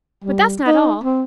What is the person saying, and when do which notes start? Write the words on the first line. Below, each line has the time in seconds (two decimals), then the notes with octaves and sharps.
But that's not all.
0.24 G3
0.67 D#4
1.04 C4